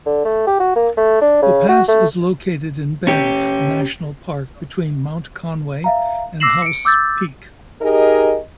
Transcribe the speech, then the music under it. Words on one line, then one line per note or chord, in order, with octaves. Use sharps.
The pass is located in Banff National Park, between Mount Conway and Howse Peak.
D3
A3
G4
F#4
A#3
A3
D4
C#3
F#4
A3
C#4 G4
E5 F5 A#5
D6 E6 A#6 C7 E7 F#7
C#7 D7
D6 E6 G6 A6
D#4 G4 G#4 A#4 D#5